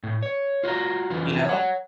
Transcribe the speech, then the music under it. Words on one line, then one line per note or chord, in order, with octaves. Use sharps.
you know?
A2
C#5
F4 F#4 D#5 A#5
F2 C#3 E3 F3
C#5 F#5